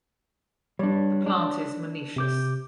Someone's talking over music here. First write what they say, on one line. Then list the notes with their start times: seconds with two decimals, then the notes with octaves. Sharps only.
The plant is monoecious.
0.79 G3 D4 C#5
1.26 D4
2.16 C3 D6 G6